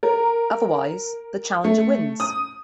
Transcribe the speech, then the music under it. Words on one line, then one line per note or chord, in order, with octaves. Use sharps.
Otherwise, the challenger wins.
A#4
A3
D#6